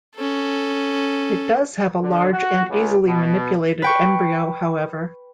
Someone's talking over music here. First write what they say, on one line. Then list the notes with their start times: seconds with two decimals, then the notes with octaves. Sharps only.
It does have a large and easily manipulated embryo, however.
0.16 C#4 A4
2.01 D3
2.31 F#4
2.69 C#2
3.06 B2
3.82 B4 G5 C#6